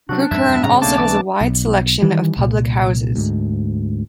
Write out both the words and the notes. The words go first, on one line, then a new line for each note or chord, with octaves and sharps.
Crewkerne also has a wide selection of public houses.
C3 F#3 D4 F#4
F2 G#2 E5
E2 G2 C3 G5
G2 A#2 C#3 C4 C#4 A#5
B1 B2 A3 A#3 C4 D4 A5
E3 D6
B1
D#3 E3 G3
C2 A#2
D2 G#2